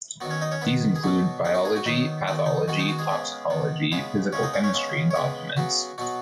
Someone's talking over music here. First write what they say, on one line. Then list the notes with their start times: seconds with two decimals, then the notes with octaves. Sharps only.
These included biology, pathology, toxicology, physical chemistry and documents.
0.21 D#3 F#3 B3 F#4
0.30 C#4 C#5
0.41 D#4 D#5
0.52 C#4 C#5
0.61 D#3 B3 B4
0.96 G#4
1.03 B2 F#3 B3 F#4
1.45 C#3 B3 D#4
1.54 F#4
1.65 G#3 G#4
1.76 F#4
1.85 D#3 F#3 B3 D#4
2.27 D#3 F#3 B3 D#4
2.46 D#4
2.68 D#3 G#3 B3 F#4
2.79 D#4
2.88 F#4
2.99 G#3 G#4
3.10 C#3 B3
3.50 D#3 B3
3.92 C#3 G#3 B3 B4
4.33 C#3 G#3 B3 C#4 C#5
4.43 D#4 D#5
4.53 C#4 C#5
4.63 C#4 C#5
4.74 C#3 G#3 B3
5.11 C#5
5.16 C#3 G#3 B3 B4
5.57 C#3 F#3 B3 F#4
5.98 B2 F#3 B3 F#4